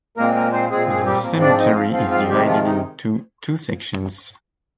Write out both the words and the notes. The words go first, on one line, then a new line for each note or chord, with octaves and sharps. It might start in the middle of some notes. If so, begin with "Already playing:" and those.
The cemetery is divided into two sections.
A#2 G#3 A#3 C4 A#4
A#3 A#4
C4 C5
A#2 G#3 C4 G#4
G#3 G#4
G3 G4
G#2 F3 A#3 C4 A#4
D4 D5
D#4 D#5
G#2 F3 C4 F4 F5
F4 F5
F4 F5
C3 D#3 G3 G#3 G4
F3 F4
D#4